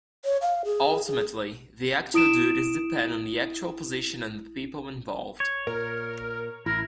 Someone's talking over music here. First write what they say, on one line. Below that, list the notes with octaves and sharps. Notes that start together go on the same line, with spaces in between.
Ultimately the actual duties depend on the actual position and the people involved.
C#5
F5
G#4
G#4
E4 D#6 D7 E7
C#5
A#2 A#4
A1 E4 A#4